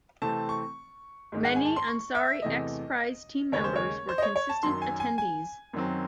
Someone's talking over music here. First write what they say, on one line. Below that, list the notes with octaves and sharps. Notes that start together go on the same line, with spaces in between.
Many Ansari X-Prize team members were consistent attendees.
C3 E3 A3 C4 A5
C#6
G#2 D#3 G#3
F#5
G#5
A5
C6
C#6
E5
E2 C3 E3 A3 D#5
D#2 C#3 G#3 C#4 C#5
C5
C#5
C5
D#5
C#5
C#5
A5
F#2 D#3 F#3 C6
G#5
G#5
G#5
F#2 D#3 F#3 C4